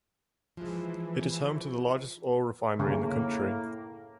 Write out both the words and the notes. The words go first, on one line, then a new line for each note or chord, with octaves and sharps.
It is home to the largest oil refinery in the country.
E3 F3 G#3
A2 C#3 A#3